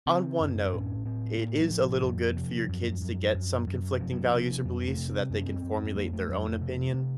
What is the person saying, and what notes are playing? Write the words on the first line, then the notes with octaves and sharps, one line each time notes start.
on one note, it is a little good for your kids to get some conflicting values or beliefs so, that they can formulate their own opinion,
C#3 C4
F#2
A2 C#4
A2 C4
A2 A#3
F#3
A2 F3
F2 F3
C3
F#2
F#2
F#2
F#2
C3 F3
F#3
F3
C3
F2 F#3
A3
C3
C4
F#2 C4
C#4
C4
F#2
C4
F2 A#3
A3
F2 F#3
A3
C3
C3